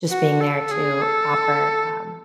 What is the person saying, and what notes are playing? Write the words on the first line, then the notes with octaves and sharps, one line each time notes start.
just being there to offer, um,
F#4
A4
G#4
A4